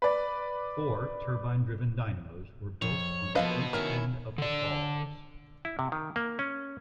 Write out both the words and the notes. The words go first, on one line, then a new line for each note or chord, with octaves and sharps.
Four turbine driven dynamos were built on the east end of the falls.
B4 D5
F2 C#5
B2 F3 A#3 B3 A4 B4 D#5 F5
D#3 C#4 E4 A#4
D3 D5
E4
C3
D#3
A#3
C#4